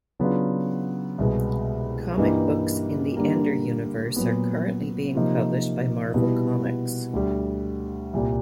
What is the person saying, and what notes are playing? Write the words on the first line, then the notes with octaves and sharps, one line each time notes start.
Comic books in the Ender Universe are currently being published by Marvel Comics.
C#3 F#3 B3 D4 F4
C2 B2 G#3
G2 E3 G3 A#3 D#4
D3 G3 A#3
A#2 F#3 B3
C3 F3 A#3 D#4
B2 G3 B3 E4
D2 D3 G3
C2 A#2 G3